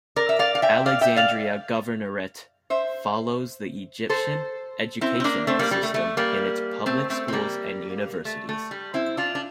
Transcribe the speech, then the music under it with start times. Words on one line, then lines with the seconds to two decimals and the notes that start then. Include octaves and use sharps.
Alexandria Governorate follows the Egyptian Educational System in its public schools and universities.
0.16 A#4 D5
0.29 E5
0.39 D5 F5
0.55 F5
0.62 E5 G5
0.86 D5 F5
1.01 E5 G5
1.16 D5 F5
2.70 C5 E5
4.10 A4 C5
5.01 C4 E4
5.20 C4
5.24 A#3 D4
5.47 A3 C4
5.59 G3 A#3
5.71 G3
5.83 A3
5.94 A3
6.17 G3 A#3
6.86 A3 C4
7.10 A3 C4
7.28 C4
7.33 G3 A#3
8.25 A3
8.49 A3
8.71 G3
8.94 C4 E4
9.17 D4 F4
9.35 D4